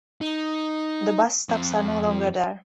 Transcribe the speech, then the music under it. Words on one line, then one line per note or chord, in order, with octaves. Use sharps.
The bus stops are no longer there.
D#4
F2 F3